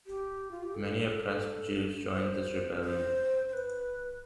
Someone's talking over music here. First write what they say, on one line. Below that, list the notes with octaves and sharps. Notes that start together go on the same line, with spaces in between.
Many oppressed Jews joined this rebellion.
G4
F4
G4
A4
C5
C5
C5
B4